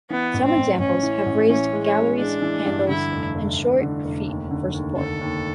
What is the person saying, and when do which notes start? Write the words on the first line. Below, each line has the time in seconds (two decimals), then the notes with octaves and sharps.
Some examples have raised galleries, handles, and short feet for support.
0.10 E3 B3
0.34 A1
0.45 C4
0.57 A1
0.79 A1 C#4
1.03 E3
1.26 A1
1.49 E3 C#4
1.73 G#3
1.84 C#4
1.96 G#3
2.19 G#3 D4
2.42 E3
2.66 G2
2.89 D3 E4
3.12 F1
3.35 F1
3.58 F1
3.81 D3
4.05 F1
4.27 D#2
4.51 D3
4.74 D#2
4.97 D3 A4
5.21 D#2